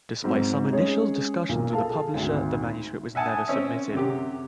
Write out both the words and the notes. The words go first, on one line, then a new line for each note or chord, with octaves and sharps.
Despite some initial discussions with a publisher, the manuscript was never submitted.
G#2 F#3 C4
G#3 C#4 G#4 C#5
B1 A#2
G#4 A4 F5 A5
G#1 D2
E5 F#5 G#5 A5 D#6
C4 C#4 E5
F#2 C3 G4